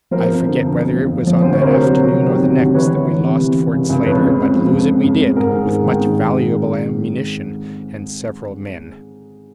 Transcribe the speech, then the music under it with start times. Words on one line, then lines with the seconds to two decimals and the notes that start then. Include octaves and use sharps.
I forget whether it was on that afternoon or the next that we lost Fort Slatter; but lose it we did, with much valuable ammunition and several men.
0.11 F3 A#4 C5
0.29 F2
0.45 D3
0.61 F2
0.78 F2
0.94 F3
1.10 F2
1.27 F3
1.42 D2 C5
1.52 C#5
1.60 C3 A#4 C5
1.76 F#3
1.92 F#3
2.09 C3
2.26 D#3
2.41 C3
2.58 D2
2.74 E3 B4 C#5
2.91 E3
3.07 E3
3.23 C3
3.40 E3
3.57 C3
3.73 C#2
3.89 C#2
4.05 F2 B4 C#5
4.22 C#3
4.38 C#3
4.55 F3
4.72 F2
4.87 C#3
5.03 F2
5.20 C#3
5.36 G#2 G#4 A#4
5.52 D#3
5.69 G#2
5.86 D#3